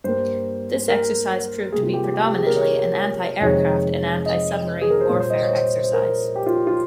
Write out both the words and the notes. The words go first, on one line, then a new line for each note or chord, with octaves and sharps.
This exercise proved to be predominately an anti-aircraft and anti-submarine warfare exercise.
G2 G3 A#3 C5
A#4
C3 G3 A#3 G#4
F4
G4
G4
G4
G4
G#4
A#4
C#5
F2 C3 D#3 G#3 C#5
D#5
G#4
A#4
C5
A#2 G3 A#3 C#5
C5
D#5
C#5
C5
C5
A#4
G4
F4
G4
F4